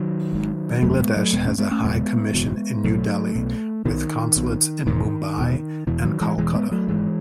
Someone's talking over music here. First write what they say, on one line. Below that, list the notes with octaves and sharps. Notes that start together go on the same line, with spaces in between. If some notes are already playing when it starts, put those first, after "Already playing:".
Bangladesh has a high commission in New Delhi with consulates in Mumbai and Kolkata.
Already playing: D#3 F#3
G#1 G#2
F#1 E2 B2 F#3 A3
C#4
G#3 B3
F#3 A3
F#1 E2 B2 G#3 B3
A3 C#4
G#3 B3
A3 C#4
F#1 E2 B2 G#3 B3
F#1 E2 B2
B1 B2 F#3 A3
B1 B2
B1 B2 D#3
B1 B2
E1 E2 B2 D#3
E1 E2 B2
E1 E2 B2 E3
D#3 F#3
E3 G#3
E1 E2 B2 E3 G#3
G#3 B3
F#3 A3
G#1 G#2 E3 G#3